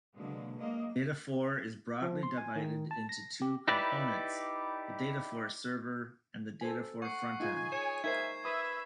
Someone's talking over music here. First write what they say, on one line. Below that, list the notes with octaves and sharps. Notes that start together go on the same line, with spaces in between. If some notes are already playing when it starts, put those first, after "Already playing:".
Dataphor is broadly divided into two components: the Dataphor Server, and the Dataphor Frontend.
B2 D3 F#3 G#3 A#3
F#3 G#3 A#3 D#5
F3
C6
G#5
D#3
A5
A#6
G4
D#4 E4 G4 B4 D5
A4 C5 G#5
F#5 C#6 C7
D#4 F4 G#4 G#5
C#5 E7
D#4 A#4 C5 E5 G#6 C7
B4 E5 D#6